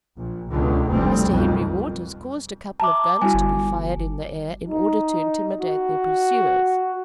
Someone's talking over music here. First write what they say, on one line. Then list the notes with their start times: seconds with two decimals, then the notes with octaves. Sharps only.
Mr. Henry Waters caused a couple of guns to be fired in the air in order to intimidate their pursuers.
0.16 A#1
0.51 C#2 B2 D3
0.89 F1 D2 G3 C4
1.30 B1 F2 B2 D#3
2.80 E5 A5 A#5 D6
3.22 G3 E4 F#4 G#5
3.34 G1
4.69 D#4
5.61 F#4